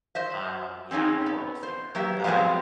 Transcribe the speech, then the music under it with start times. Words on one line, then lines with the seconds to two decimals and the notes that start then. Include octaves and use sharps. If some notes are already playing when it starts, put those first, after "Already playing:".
um, yeah I'm a horrible singer. But
0.15 C5 D#5 E5
0.91 C4 C#4 D#4 G#4
1.26 B3
1.63 C5
1.95 F#3 A#3 B3 G4 E5
2.24 F3 F#3 G#3 A3 B3 C4